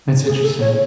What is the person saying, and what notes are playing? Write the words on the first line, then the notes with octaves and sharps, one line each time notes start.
That's interesting.
G#4
A4
C#5